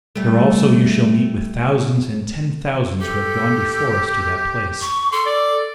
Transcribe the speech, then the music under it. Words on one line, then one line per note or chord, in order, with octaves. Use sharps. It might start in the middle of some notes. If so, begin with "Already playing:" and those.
There also you shall meet with thousands and ten thousands who have gone before us to that place.
G3 A3
G4 A4
C#6
A4 C6
D5